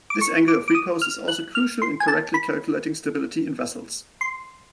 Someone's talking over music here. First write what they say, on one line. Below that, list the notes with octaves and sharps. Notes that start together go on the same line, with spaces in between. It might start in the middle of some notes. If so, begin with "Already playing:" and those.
This angle of repose is also crucial in correctly calculating stability in vessels.
D6
C#6
D6
D6
D#6
F6
F#6
F6
C6
G#5
A5
B5
C6